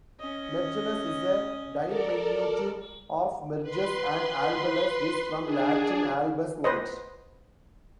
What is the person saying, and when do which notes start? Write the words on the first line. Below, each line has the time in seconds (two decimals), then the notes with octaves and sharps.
"Mergellus" is a diminutive of "Mergus" and "albellus" is from Latin "albus" "white".
0.20 C#4 D#5
1.85 A4 A#4 D5
3.62 B4 C6
5.42 D4 G#4
6.64 B4 C5 D#5